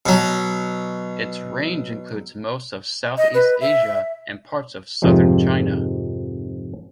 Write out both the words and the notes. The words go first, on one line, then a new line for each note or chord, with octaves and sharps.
Its range includes most of Southeast Asia and parts of southern China.
B2 F#3
D#5
B4
E5
F2 G#2 C3 D#3 F3 G#3